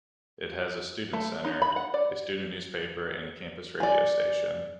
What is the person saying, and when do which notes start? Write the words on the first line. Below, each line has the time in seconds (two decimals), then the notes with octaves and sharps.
It has a student centre, a student newspaper and a campus radio station.
1.13 A3
1.45 D#4
1.62 B5
1.76 F#5
1.94 D5
3.80 D5 G#5